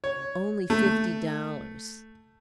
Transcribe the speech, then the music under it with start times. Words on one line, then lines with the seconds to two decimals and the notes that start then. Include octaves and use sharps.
"Only fifty dollars."
0.04 C#5
0.70 A3